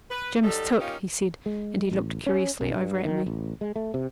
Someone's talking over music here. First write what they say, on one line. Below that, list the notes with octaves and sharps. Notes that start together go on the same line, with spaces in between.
'Jim's took,' he said, and he looked curiously over at me.
B4
F#3 G3 D#4 A4
A#3 C#4 D#4 F4 G4
G#3
A1
C#4
B1
G2
D#3
A1
G#3
A3
C3